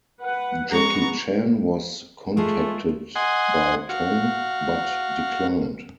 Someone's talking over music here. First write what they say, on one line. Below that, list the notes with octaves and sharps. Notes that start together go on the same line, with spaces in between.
Jackie Chan was contacted by Tong, but declined.
B4 F#5
G#3 B3 F#4 A#5 C#6
G#3 A3 F4 G#4
D#5 F#5 G#5 C6
F#4 F5